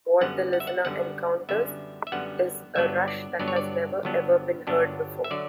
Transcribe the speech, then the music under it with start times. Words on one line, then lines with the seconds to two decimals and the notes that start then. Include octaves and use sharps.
What the listener encounters is a Rush that has never "ever" been heard before.
0.21 F#2 D3 G3 B3 F#5
0.53 F#5
0.60 E5
0.67 F#5
0.85 F#2 D3 G3 B3 F#5
1.49 F#2 D3 G3 B3 E5
2.07 E5
2.12 F#2 D3 G3 B3 F#5
2.76 G1 G2 F#3 B3 D4 E5
3.08 D5
3.39 G1 G2 F#3 B3 D4 D5
3.48 C#5
3.56 D5
4.03 G1 G2 F#3 B3 D4
4.67 G1 G2 F#3 B3 D4
5.24 E5
5.31 D3 F#3 D5